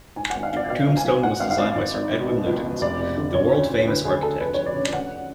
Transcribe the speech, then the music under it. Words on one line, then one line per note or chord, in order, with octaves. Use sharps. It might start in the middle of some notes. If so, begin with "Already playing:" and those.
Her tombstone was designed by Sir Edwin Lutyens, the world-famous architect.
G#2 G#5
G#1 F#5
F5
G#1 D5
B2 F5
B1
G#5
B1
G#2 F#5
G#1 F5
F5
G#1 D5
G#2 D5
G#1
G#1
B2
C#2
C#2
F1 D5
F1
D3
C#3 C#5
D2
D2
D3 B4
D2 G#4
D2 A4
F1 B4
F1 C#5
D5
C#3
C#3 F#5